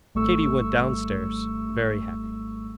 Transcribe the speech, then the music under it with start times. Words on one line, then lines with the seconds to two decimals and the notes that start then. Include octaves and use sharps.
Katy went down stairs very happy.
0.15 G#1 G3 A3 C#6 E6